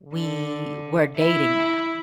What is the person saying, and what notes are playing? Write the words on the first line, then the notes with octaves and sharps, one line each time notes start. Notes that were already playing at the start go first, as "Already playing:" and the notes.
We we're dating now."
D3
E4